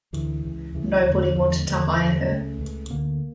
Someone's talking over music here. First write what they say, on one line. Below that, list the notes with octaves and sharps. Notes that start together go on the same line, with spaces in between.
Nobody wanted to hire her.
D2 D3 E3
C#2 C#3
C#2 C#3 E3
E2 D3
E2 D3 F3
E2 D3
E2 D3 F3
G3
C#2 C#3 A3
C#2 C#3
D2 D3 A#3